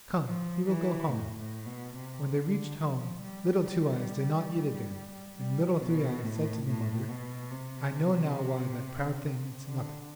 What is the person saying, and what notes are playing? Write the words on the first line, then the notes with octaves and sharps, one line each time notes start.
Come, we will go home.' When they reached home, Little Two-eyes did not eat again, and Little Three-eyes said to the mother, 'I know now why that proud thing eats nothing.
F3
E3
A2
A2
B2
C3
D3
F3
G3
G3
B2
A2
A2
B2
C3
D3